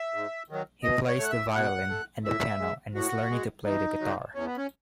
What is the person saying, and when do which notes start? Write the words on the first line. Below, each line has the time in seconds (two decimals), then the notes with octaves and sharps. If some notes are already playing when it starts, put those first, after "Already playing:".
He plays the violin and the piano and is learning to play the guitar.
Already playing: E5
0.14 G#2
0.50 D#3 F#3
0.84 B2 D#5
1.08 C#5
1.19 A3 F#5
1.31 E5
1.55 B2 F#5
1.89 A3
2.24 A2 E5
2.60 G#3
2.95 A2 F#4
3.30 G#3
3.65 E2 D#4
4.00 C#3 F#3
4.35 E2 C#4
4.46 B3
4.57 C#4